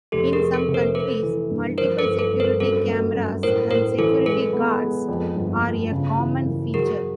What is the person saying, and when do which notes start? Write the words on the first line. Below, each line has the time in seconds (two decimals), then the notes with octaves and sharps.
In some countries, multiple security cameras and security guards are a common feature.
0.12 F1 G4 A4
0.33 G#4 A#4
0.40 F1
0.54 A4 B4
0.68 C3
0.74 A#4 C5
0.95 A3 A4 B4
1.23 E3
1.50 G2
1.78 F3 A#4 C5
1.98 A4 B4
2.05 G1
2.19 A4 B4
2.33 G1
2.40 A#4 C5
2.60 F#2 A4 B4
2.88 F#2
3.16 F#2
3.43 A2 A#4 C5
3.71 A2 A#4 C5
3.98 E3 A4 B4
4.25 G#3 A4 B4
4.53 B3
4.81 G#3
5.09 F2
5.36 G1
5.64 G1
5.91 C#3
6.20 E3
6.46 F#2
6.74 F#3 G#4 A#4